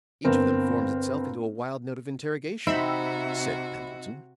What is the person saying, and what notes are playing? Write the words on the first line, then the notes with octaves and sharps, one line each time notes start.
"Each of them forms itself into a wild note of interrogation," said Pendleton.
G1 C4 A#4
C3 C4 D#4 F#4 E5 B5 E6